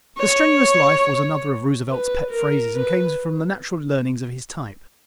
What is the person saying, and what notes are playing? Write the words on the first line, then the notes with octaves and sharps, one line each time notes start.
"The strenuous life" was another of Roosevelt's pet phrases and came from the natural leanings of his type.
C#5
B4
A#4
B4